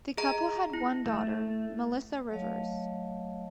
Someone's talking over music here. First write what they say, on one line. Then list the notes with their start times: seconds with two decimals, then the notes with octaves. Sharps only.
The couple had one daughter, Melissa Rivers.
0.18 G#4 D#5 A#5
0.73 E4
1.06 A3
2.31 F#3 A3 C#5 D#5 F5 A5